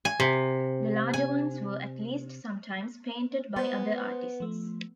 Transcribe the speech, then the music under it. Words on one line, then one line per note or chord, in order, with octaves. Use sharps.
The larger ones were at least sometimes painted by other artists.
G#5
C3
G#5
B3 C5 C6
F3 A3